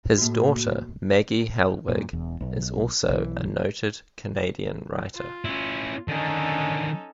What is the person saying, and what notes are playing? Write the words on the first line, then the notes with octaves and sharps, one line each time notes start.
His daughter, Maggie Helwig, is also a noted Canadian writer.
A2 A#3 F#4
F#2 A#2
E1 E2
B1
B1 E3
F4
C#4 E4
D3 D#3 C#4 D#4 A4